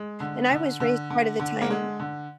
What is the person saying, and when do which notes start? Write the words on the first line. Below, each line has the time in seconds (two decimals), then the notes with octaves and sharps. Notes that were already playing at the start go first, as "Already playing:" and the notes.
And I was raised part of the time
Already playing: G#3
0.20 D3
0.51 D3
0.80 D3
1.10 D3
1.39 D3
1.61 A#3
1.70 D3 G#3
2.00 D3